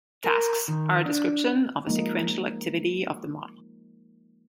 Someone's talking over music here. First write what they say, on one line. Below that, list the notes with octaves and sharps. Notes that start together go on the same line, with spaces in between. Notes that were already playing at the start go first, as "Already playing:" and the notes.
'Tasks' are a description of a sequential activity of the model.
A#4
D#3
D4
F3 G#3 A#3 D#4